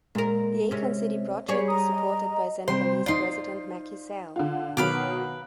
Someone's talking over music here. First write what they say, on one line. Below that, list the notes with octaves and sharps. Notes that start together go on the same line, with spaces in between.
The Akon City project is supported by Senegalese President Macky Sall.
A#2 G#3 A#4
C3 C#4
G3 G#4 C#5 D5 C#6
A#5 D#6
D#5
C3 G3 C4 C5 C6
D#4 F4 D5 C6
D3 F4
B2 D#3 F#3 B4 F5 D6